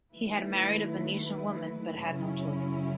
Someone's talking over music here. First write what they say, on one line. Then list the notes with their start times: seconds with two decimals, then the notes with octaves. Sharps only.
He had married a Venetian woman but had no children.
0.13 D#3 F#3 A3 E4 B4
1.97 F#2 C#3 F#3 C#4 E4